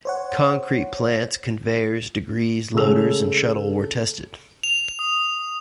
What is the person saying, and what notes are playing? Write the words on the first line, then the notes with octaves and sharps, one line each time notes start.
Concrete plants, conveyors, degrees, loaders and shuttle were tested.
C5 C#5 F#5
C#3 G#3 A3 E6 F7
F7
D#6